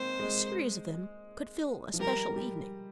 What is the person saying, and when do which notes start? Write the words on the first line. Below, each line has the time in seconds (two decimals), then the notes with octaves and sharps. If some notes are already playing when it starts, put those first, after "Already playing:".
A series of them could fill a special evening.
Already playing: G#3 A#3 C4 C5
0.20 G#3
1.94 F3
2.00 G3 A#4
2.36 G3